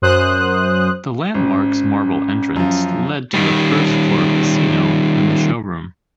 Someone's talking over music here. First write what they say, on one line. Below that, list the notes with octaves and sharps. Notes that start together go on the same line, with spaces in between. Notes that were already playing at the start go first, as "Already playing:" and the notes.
The Landmark's marble entrance led to the first-floor casino and the showroom.
F#2 C5 D#6 F#6
G#1 C#4
F#2 F3
D#3 G3